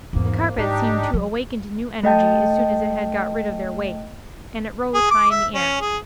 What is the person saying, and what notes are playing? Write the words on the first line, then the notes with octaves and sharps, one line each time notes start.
The carpet seemed to awaken to new energy as soon as it had got rid of their weight, and it rose high in the air.
G#1 E2 G#2 A#3
G#2 D4 D#4 G4
F#3
A3 D#5 G5 A5
G#4
D6
E5
C#4
G#4